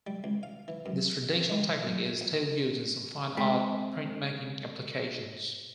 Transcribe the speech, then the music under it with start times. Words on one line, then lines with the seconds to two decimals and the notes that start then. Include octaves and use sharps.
This traditional technique is still used in some fine art printmaking applications.
0.07 G3
0.24 C#2
0.43 F5
0.68 E3
0.86 F#2
1.34 C#3
1.50 G#3
1.83 F#2
2.21 A#1
3.37 G#3 C4 G5 B5 C6